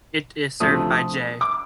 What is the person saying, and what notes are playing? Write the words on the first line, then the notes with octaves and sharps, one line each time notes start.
It is served by J.
D2 C3 F3 A3 D#6
D#6
D6